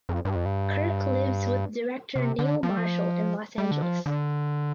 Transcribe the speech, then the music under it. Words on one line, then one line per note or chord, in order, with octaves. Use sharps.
Kirk lives with director Neil Marshall in Los Angeles.
F2
G2
F2
G2
C3
D3
F3
G3
F3
G3
D3
F3
D3